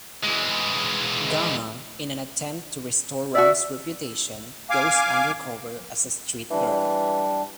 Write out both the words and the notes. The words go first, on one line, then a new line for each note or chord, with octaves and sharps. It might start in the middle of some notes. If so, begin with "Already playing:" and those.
Ganga, in an attempt to restore Ram's reputation, goes undercover as a street-girl.
E3 G#3
F#4 D5 E5
F5 G#5 D6
E3 G3 D4